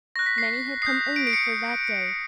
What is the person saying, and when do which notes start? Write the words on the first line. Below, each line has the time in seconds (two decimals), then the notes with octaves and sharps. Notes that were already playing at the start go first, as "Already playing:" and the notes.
Many had come only for that day.
0.16 C#6 F#6 A#6
0.26 B6
0.38 C7
0.82 D#6 G6 C7
1.16 D7
1.27 D7
1.33 C#7